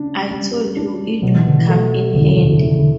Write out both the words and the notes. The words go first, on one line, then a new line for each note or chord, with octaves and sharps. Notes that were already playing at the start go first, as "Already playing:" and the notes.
I told you it would come in handy.
Already playing: C#3 D4
G3
D4
B2 F#3
E3
D3
E3
A3
E2 C#3
D3
C#3
D3
C#3
D3
C#3 E4
D3
C#3
D3